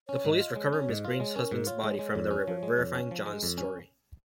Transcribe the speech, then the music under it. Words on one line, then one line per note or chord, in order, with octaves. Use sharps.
The police recover Mrs. Green's husband's body from the river, verifying John's story.
C#4 C#5
G#2
D#5
F4
C#5
G#3
C#4 C#5
G#2 D#5
F4 A#4
C#5
G#3
C#4 A#4
G#2
F4 C#5
G#3
G#3
F2
C#4
F3
G#3
F2
C#4
F3
G#3
F2
C#4